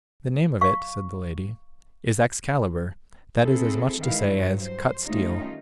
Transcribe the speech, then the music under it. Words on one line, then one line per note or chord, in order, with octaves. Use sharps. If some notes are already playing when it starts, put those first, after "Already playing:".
The name of it, said the lady, is Excalibur, that is as much to say as Cut-steel.
F5 C#6
C4 E4 G#4 A4
D#3 E3 G#3 E4 F5
G2 F#3 C#5
C5
D#3 G3 A3 C#4 D#4 F4